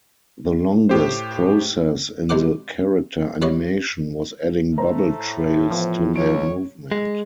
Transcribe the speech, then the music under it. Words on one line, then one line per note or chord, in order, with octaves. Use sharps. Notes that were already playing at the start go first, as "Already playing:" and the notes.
The longest process in the character animation was adding bubble trails to their movement.
A2 G4 C5
B1 C3 G#3 C5 F#5 D6
G3 B4 C#5 D#5 F5
A3 C5 A#5
A2
E3 F3 B3
C#2 C#5 D7
G#3